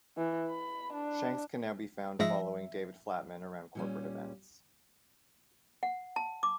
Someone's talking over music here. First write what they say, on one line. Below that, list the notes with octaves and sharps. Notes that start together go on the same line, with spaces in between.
Shanks can now be found following David Flatman around corporate events.
E3
B5
D4
G#2 F3 G#3 E5 A#6
A#2 G3 C#4
F#5
A5
D6